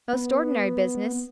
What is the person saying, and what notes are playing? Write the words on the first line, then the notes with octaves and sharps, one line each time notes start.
Most ordinary business.
B3